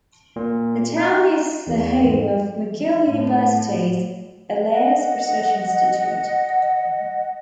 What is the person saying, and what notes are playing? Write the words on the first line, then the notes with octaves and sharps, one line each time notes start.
The town is the home of McGill University's Bellairs Research Institute.
A#2
D#4
E2
G#2
A2
D#5 F#5